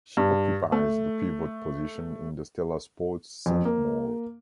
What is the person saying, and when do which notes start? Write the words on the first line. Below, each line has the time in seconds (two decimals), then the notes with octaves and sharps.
She occupies the pivot position in the Stella Sports Saint-Maur.
0.17 G2
0.72 A3
3.46 F2
3.65 A#3